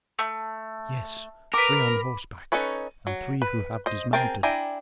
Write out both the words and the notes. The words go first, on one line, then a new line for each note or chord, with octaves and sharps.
"Yes, three on horseback and three who have dismounted."
A3
A#4 B4 D6
C#4 D#4 A4 B4 C#5
F#3
B4
C5 D#5
C4 G#4 A#4 G5 A5
D4 E4 G5 G#5 A#5